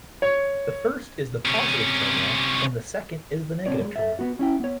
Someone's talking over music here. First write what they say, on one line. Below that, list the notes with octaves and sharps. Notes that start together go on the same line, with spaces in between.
The first is the positive terminal and the second is the negative terminal.
C#5
C3 C#4
C#2 B2 A3 C4 C#5 D5
G3 G#3
A4 E5
B3 F#4
C#4 E4 G5
B3 C#5